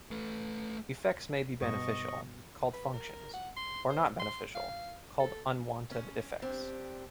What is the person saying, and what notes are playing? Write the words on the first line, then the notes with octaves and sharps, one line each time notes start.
Effects may be beneficial, called "functions", or not beneficial, called "unwanted effects".
A3 B4
G2 B2 D#5 C#6
B4
A#4
F#5
C6
C5
C6
F5
A4
C#4
C4 D4 G4